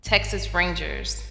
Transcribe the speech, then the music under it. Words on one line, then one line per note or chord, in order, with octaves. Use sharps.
Texas Rangers
G#1